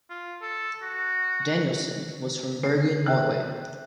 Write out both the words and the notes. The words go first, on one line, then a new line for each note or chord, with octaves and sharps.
Danielssen was from Bergen, Norway.
F4
A4
F#4
C7
E5 G5 F#6